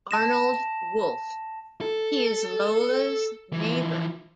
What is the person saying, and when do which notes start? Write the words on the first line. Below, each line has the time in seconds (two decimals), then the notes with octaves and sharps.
Arnold Wolf: He is Lola's neighbour.
0.11 A5 A#6 E7
1.81 A4
3.53 E3 F3